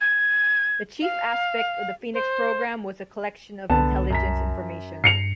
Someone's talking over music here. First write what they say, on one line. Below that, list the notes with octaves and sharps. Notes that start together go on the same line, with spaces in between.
The chief aspect of the Phoenix Program was the collection of intelligence information.
G#6
F5
C5
C2 D3 B3 A5
F#2 A#5 B6
G2 C7 C#7 F7